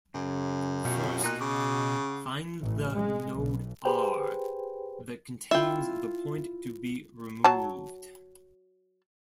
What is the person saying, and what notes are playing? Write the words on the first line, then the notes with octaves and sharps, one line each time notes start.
First, find the node R that contains the point to be removed.
F#2 C#3
B2 F4 G4 C#5
A#2 D#4 F#6
C#3 F#5 D6
A1
G#3
B1
G4 G#4 B4 C5 G5
E4 F4 E5 G5
F#3 A5